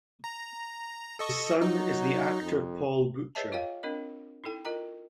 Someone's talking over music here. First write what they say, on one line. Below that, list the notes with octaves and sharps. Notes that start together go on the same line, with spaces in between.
His son is the actor Paul Butcher.
A#5
A4 D#5 C#6
F#3 D#4
F2
G#4 B4 C#5 D#5 E5 A5
F4 C#5 D#5 F5 G5
C4 D4 A#4 D#5
D#4 E4 A4 G5
F4 A#4 D#5 G5 A#5